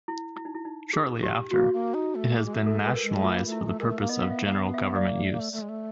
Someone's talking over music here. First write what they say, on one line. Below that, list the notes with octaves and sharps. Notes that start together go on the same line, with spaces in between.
Shortly after, it has been "nationalized" for the purpose of general government use.
E4
E4
D#4
E4
D#4
G#4
G4
A#3 F#4
A#3
D#4
A3
A3 G#4
G#3
A3
A4
G#3
B4
A#4
G#3
A3 F4
A#3
A3
E4
G#3
A3
G#3 A#4
A3
A#3
B3 D#5
F5
E5
A#3
B3 F#5
E5
A#3 D5
A3
A#3
A3
A3
G#3
A3